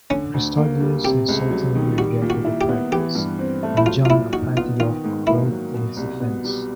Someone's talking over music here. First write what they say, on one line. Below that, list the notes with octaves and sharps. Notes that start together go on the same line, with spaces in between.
Christodulus insultingly rejected the practice, and John of Antioch wrote in its defence.
D3 C#4
D2
A#3
G3
C3 G4
C#2
F#3
D#3
G3 F#4
A#2
F#4
E4
G4
B3
E3 G4
G2
C4
A3
E4
F#3 F4
F4
A#2 E4
D#4 F#4
B3 F4
D#3 F4
G#2
A#3 E4
F#3
B2
C2
B3
G3